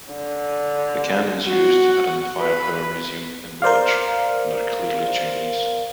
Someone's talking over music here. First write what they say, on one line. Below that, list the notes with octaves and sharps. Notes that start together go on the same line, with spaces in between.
The cannons used are in the Firepower Museum in Woolwich and are clearly Chinese.
D3
F#4
B4
A#4 C5 D5 F5